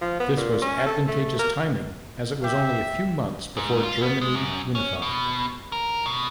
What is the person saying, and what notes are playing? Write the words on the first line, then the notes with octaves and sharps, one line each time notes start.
This was advantageous timing, as it was only a few months before Germany unified.
F3
B3
A#2
C#4
A4
A3
A#4
G4 E5
G#2
F4
B3
G#3
F#2
C#4
B2
A#4
B2